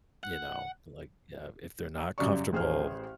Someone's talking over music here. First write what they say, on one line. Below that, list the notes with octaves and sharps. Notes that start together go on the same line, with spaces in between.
you know, like, uh, if they're not comfortable,
F#5
F#2 C#3 G3 D5 C#6
A1 G#4 C5 F6